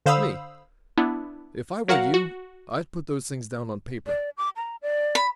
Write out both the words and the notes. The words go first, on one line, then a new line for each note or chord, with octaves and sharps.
ME: If I were you, I'd put those things down on paper.
D3 C5 F5 B5 D#6 E6
B3 D4 E4
F#3 F#4 A#4 F5 F#5
F#4
D5
D6
A#5
D5
B5